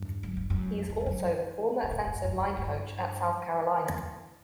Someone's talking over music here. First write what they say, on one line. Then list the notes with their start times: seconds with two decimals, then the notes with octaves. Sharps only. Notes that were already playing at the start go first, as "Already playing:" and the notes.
He is also the former offensive line coach at South Carolina.
Already playing: G2
0.23 F#2
0.37 G2
0.50 F#2
0.90 E2
1.00 G2
1.06 F#2
1.83 G2
1.91 A2
2.07 G2
2.24 F#2
2.40 E2
2.58 G2